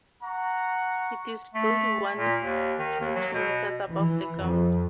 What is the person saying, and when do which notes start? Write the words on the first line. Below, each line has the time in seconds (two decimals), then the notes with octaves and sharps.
It is built one to two metres above the ground.
0.23 F#5 A#5 C#6
1.54 A3
2.16 A#2
2.42 D#2
2.78 D#3
3.00 D#2
3.16 F#3
3.33 B2
3.94 E3
4.41 F2